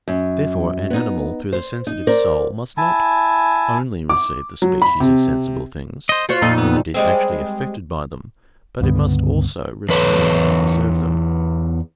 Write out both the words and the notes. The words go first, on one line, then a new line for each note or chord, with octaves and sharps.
Therefore an animal through the sensitive soul must not only receive the species of sensible things, when it is actually affected by them, but it must also retain and preserve them.
F#2
B3 D#4
C5
D#4
A#4 C5 D5
E4 G#5 A5
D6
F#3
B5
C3
C5 D#5
F4 F#4 C5 C#5
F2 A#2 D#4
B3
G3 G#3 C4
C#2 G2 D3 B3
E2 B4 C#5